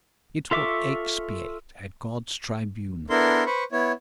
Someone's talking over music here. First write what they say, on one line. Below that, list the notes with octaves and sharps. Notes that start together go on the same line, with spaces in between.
It will expiate at God's tribunal.
F4 A4 E5 C#6 D6
B3 D4 E4 A4 A#4 C6
B4 C5 B5 C#6
B3 E4 C#5